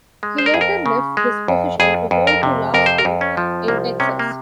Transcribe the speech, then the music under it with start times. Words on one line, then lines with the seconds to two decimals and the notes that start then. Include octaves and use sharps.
He later left this position to go to law school in Texas.
0.23 G#3
0.38 C5
0.46 A#4
0.54 F2 G#4
0.61 A#4
0.86 C#3
1.17 G#3
1.48 F2
1.80 F2 G#4
2.11 F2
2.27 A#4
2.43 C3
2.74 F2 A#4
2.86 C5
2.98 A#4
3.05 F2
3.21 C#4
3.37 F3
3.68 C2 A#3
4.00 C3 C#4
4.19 A#3